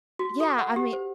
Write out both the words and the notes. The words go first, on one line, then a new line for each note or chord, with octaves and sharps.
Yeah, I mean
F#4
A4
F#5
G4
C5